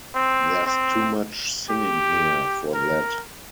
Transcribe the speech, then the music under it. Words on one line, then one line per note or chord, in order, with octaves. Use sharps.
There's too much singing here for that.
C4
C4
G4
A#4